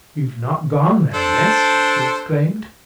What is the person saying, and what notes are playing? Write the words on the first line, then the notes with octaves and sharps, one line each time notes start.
"You've not gone, then, miss?" he exclaimed.
D4 A4 C5